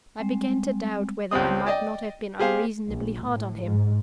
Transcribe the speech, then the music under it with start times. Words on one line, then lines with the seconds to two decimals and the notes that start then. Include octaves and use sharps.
I began to doubt whether I might not have been unreasonably hard on him.
0.19 G3 G#3 C4
1.31 C#2 G3 C4 D#6
1.66 D5 D#5 G5
2.39 G4 G#4 C5 F5
2.88 A#1
3.22 A2
3.64 G#2